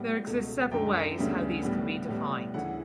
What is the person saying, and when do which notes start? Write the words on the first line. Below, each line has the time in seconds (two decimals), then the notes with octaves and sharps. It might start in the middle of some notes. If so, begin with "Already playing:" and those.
There exists several ways how these can be defined.
Already playing: A2 G3 B3 F#5
0.26 C#2 B2 A3
0.71 F#2 D3 A3 G5
1.18 D2 C#3 G3 B3
1.62 A2 G3 B3
2.08 A2 G3 B3
2.54 D2 C#3 E3 F#5